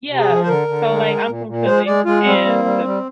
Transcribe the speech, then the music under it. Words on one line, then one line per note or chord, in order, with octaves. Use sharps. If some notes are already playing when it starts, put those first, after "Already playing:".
Yeah, so, like, I'm from Philly, and
C3
G#4
F3
C5
D3 A#4
D3
G#3
G#3
A#2
A#2
G#3 C5
G#3 D5
G#3 F4
G3 C4
A#3
G3
G3